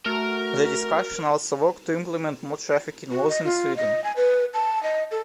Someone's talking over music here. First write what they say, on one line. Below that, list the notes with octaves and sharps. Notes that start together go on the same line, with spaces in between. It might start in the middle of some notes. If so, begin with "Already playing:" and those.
The discussion also worked to implement more trafficking laws in Sweden.
A3 F#4 A#4 F6
F#4
D#5
F4
D#5
G#5
B4
A5
D#5
A4